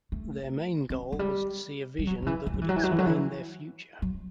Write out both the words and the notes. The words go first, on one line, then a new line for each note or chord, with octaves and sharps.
Their main goal was to see a vision that would explain their future.
A3
C4
F#3
G3
G3
F#3
D#3
E3
E3
F#3
E3
F#3
E3
F#3
E3
F#3
E3
F#3